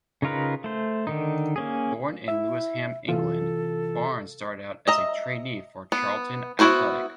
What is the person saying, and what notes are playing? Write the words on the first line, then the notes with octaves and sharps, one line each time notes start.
Born in Lewisham, England, Barness started out as a trainee for Charlton Athletic.
C#3 D#4 F4 A#4 B4
A3 C5
D3 D#3 D#4
A#3 C#4 G#4
E4 E5
C3 E3 F4 A4
D#5 E5 A#5
B3
B3 E4 F#4 B4 C5